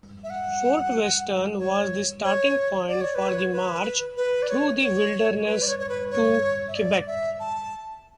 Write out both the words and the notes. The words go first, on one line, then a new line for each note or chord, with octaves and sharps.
Fort Western was the starting point for the march through the wilderness to Quebec.
E5
F#5
C#5
C#5
D5
C#5
B4
C#5
B4
B4
D5
C#5
C#5
B4
D5
C#5
C#5
B4
C#5
E5
D5
E5
A5